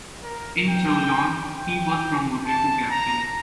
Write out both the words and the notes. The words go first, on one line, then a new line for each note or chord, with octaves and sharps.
In Toulon he was promoted to Captain.
A#4
G5
G5
A5
A#5